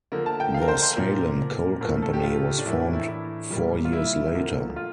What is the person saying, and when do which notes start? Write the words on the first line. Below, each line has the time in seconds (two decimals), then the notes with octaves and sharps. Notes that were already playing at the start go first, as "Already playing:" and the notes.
The Salem Coal Company was formed four years later.
0.12 D3 F3 A#3
0.26 A5
0.40 G5
0.54 F5
0.62 A#4
0.68 C5
0.82 C5
0.96 A#2 F3 A#3 A#4
1.81 A2 F3 A#3 A#4
2.02 A4
2.13 G4
2.23 F4
2.58 D4
2.66 A2 E3 A#3 E4
2.80 D4
2.93 E4
3.08 E4
3.50 A#2 G3 A#3
3.85 F4
3.93 E4
4.35 D3 F3 A#3
4.76 F4